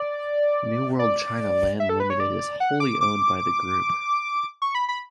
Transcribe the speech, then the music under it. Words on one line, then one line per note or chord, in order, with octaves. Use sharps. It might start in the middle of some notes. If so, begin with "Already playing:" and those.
New World China Land Limited is wholly owned by the Group.
Already playing: D5
D5
E5
A4
B4
C#5
D5
F#5
D6
D6
C#6
B5
B5